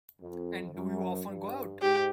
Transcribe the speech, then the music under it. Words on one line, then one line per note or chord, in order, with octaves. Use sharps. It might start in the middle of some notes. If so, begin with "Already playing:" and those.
And do you often go out?
F2
F#2
G2
G#2 G4